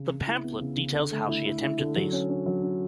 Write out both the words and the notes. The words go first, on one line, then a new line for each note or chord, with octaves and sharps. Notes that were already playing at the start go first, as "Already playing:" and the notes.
The pamphlet details how she attempted these.
Already playing: C#3
C#3
E4
B3
C#3
C#3
D3
A3
E4
E4
E4
D3
F#3
C#4
C#4
F#3
C#4